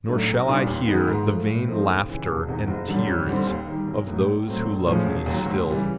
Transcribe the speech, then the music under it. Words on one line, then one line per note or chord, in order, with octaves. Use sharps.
Nor shall I hear the vain Laughter and tears of those who love me still.
A2 F#3 A3 D4
B1
A#2 G3 B3 D4
D#2
D#3 G#3 B3 D#4
G#2
F3 A3
A2
F3 A3 C4 D#4
D#2
C#3 E3
E1
E2 C3 D#3
F#1
F#2 D3 G3
F2
D3 G3 C4
D#2
D#3 G3
B1
A2 F#3 B3
A#1
A2 F#3 A3 C4
A#1
A2 F3 G#3 C#4
E1
D#2 D#3 F#3
D2
C#3 E3 G3